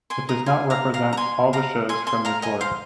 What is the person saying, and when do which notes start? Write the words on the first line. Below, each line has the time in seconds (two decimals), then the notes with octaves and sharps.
It does not represent all the shows from the tour.
0.10 G#5 C6
0.29 A#5 D#6
0.46 G#5 C6
0.70 F5 A#5
0.94 F5 A#5
1.13 A#5
1.17 G#5 C6
1.53 F5 A#5
1.89 G#5 C6
2.07 G#5 C6
2.25 F5 A#5
2.42 D#5 G#5
2.61 C5 F5